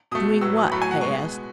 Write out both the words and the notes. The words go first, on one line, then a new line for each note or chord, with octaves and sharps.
"Doing what?" I asked.
B2 A3 D#6
A2 F#3 B3 E6
D#6
A2 F#3 A3 B5
G#5
F#5
B2 G#3 B3 C#6